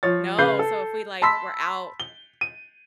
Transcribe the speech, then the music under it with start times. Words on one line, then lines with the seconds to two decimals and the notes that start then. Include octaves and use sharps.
No, so, if we, like, were out,
0.03 F3 C#5 A6
0.38 C#3 B4 F5 G6 C7
0.59 A4
1.22 A5 B5 C6 E6 B6
2.00 G7
2.41 D#7